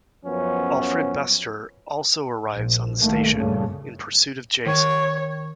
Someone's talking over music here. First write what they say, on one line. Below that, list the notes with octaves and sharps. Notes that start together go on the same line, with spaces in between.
Alfred Bester also arrives on the station, in pursuit of Jason.
F#2 F3 B3 C#4
A#1
C2 D#3 A3 A#3
G2 A#2 C#3 A3
D#3 C#5